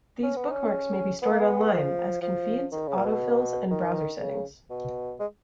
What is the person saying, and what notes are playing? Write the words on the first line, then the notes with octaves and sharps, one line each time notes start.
These bookmarks may be stored online - as can feeds, autofills, and browser settings.
C#4
B3
C#4
B3
A#3
B3
F3
F3
D#3
C#3
A#2
B2
D#3
C#3
B2
G#3